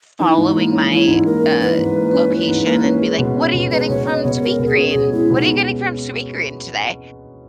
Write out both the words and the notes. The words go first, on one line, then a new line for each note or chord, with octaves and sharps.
following my, uh, location and be like, "What are you getting from Sweetgreen? What are you getting from Sweetgreen today?"
E3 D#4
G#2
A#3
C#4
E3 E4
G#2
A#3 A#4
C#4
E3 B4
G#2
A#3
C#4
E3
G#2
A#3
C#4
G#3
B2
C#4
B2
G#3 B4
B2 C#5
C#4 D#5
B2 C#5
G#3 A#4
B2
G#4
C#4
G#4
B2
G#3 E4
B2
D#4